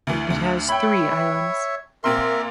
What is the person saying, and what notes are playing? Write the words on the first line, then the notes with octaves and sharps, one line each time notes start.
It has three islands.
D2 E3
D2 D3
C#5 E5 G5 B5
A#2 C4 A#4 E5 C6